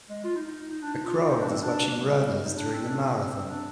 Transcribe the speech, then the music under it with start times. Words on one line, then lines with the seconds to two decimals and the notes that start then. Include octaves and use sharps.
A crowd is watching runners during a marathon.
0.09 G#3
0.24 F4
0.36 D#4
0.47 D#4
0.70 D#4
0.82 D4
0.93 D#4
1.05 F4
1.17 F4
1.29 D#4
1.41 D4
1.47 A#3
1.51 C4
1.63 D4
1.87 A#3
2.02 G3
2.10 G#3
2.21 G3
2.33 G#3
2.45 D#4
2.56 D4
2.72 C4
2.87 D4
3.00 C4
3.12 A#3
3.25 C4
3.49 D4